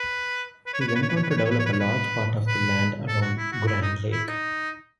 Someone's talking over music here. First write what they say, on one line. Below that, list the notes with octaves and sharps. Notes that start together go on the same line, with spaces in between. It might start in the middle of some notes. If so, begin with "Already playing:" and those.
He went on to develop a large part of the land Around Grand Lake.
Already playing: B4
B4
C#5
B4
C#5
B4
C#5
B4
C#5
B4
C#5
B4
C#5
B4
C#5
B4
C#5
B4
B4
A4
F#4
E4
F#4
E4
D#4
E4
D#4